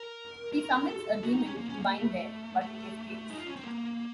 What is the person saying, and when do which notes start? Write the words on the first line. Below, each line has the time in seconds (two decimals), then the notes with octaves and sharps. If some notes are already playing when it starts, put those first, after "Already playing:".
He summons a demon to bind there, but it escapes.
Already playing: A#4
0.53 A#4
0.88 A4
1.23 F#4
1.34 D#4
1.46 C#4
1.57 A#3
1.69 C#4
1.80 A#3
1.91 A3
2.61 A3
3.30 D#4
3.38 F4
3.47 C#4
3.56 C4
3.64 A#3